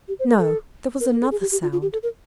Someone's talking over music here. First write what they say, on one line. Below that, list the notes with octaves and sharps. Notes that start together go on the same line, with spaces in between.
No; there was another sound.
G4
C5
A#4
A4
A#4
A#4
A4
G#4
G4
G4
F4
F4
G4
A4
A#4